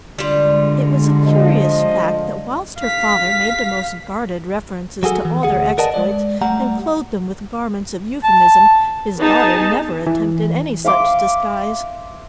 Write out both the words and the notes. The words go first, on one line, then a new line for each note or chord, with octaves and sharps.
It was a curious fact that whilst her father made the most guarded references to all their exploits and clothed them with garments of euphemism, his daughter never attempted any such disguise.
D3 G3 G#3 F4
F3 D#5
F5 B6
F#3 F#4 G#4 A4
E3
D2 G#4 F#5
A#4 B4 D5 D#5 F#5 A5
G#3 D5
G3 A3 F#5 A#5
A5
B3 D#4 G#4 A5
E3
E5 F5 C6 D6